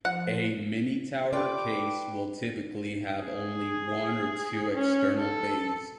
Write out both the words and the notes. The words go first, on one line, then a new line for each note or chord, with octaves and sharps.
A "mini-tower" case will typically have only one or two external bays.
F3 F#5
F4 G4 B4 D5 G5 D6
G#4
C#4
A4